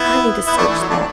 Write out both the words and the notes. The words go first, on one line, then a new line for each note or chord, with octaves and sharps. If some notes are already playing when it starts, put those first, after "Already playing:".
I need to search that.
Already playing: B3 E4
B3 E4
A3 D4
E3
F#3
A3 D4